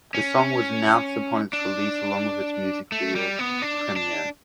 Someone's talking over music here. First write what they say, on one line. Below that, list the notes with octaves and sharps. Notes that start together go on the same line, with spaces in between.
The song was announced upon its release along with its music video premiere.
C#4
D4
A3
G3
B3
D4
D4